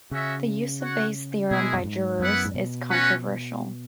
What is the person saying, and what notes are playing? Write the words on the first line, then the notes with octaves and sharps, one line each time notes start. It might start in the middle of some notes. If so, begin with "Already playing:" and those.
The use of Bayes' theorem by jurors is controversial.
C#3 C#4 F#4 E5
F#4 C#5 F#5
B2 G#3 E4 G#4
F#2
G#2
F#2 B3 E4 B4 F#5
G#2
B2
C#4 F#4 B4 F#5